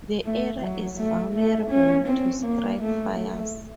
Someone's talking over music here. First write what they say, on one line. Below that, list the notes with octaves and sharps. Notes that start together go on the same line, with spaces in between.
The area is vulnerable to scrub fires.
A3
F#3
A3
A3
C#4
C4
A#3
A3
A3